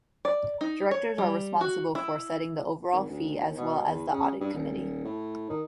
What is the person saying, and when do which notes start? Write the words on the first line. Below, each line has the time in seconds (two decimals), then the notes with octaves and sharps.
Directors are responsible for setting the overall fee as well as the audit committee.
0.25 D5
0.61 D#4
0.91 C#5
1.18 G3
1.61 F#4
1.95 E4
2.92 G#1
3.09 D2
3.46 D#2
3.58 B2
3.88 E2
4.12 C#3
4.40 G2
4.54 D#1
5.05 A2
5.50 D#3